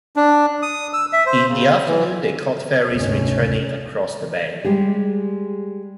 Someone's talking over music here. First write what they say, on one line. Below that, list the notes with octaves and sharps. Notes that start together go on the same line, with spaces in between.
In the afternoon, they caught ferries returning across the bay.
D4
D#6
E6
E5
C5
C#3
E3
F1 D2 G#2 C#4
G3 G#3 G4 G#4